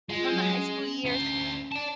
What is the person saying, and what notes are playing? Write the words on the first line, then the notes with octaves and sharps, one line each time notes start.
from the high school years
G#3 F4
F#3
C#4
D2 C5
D5 A5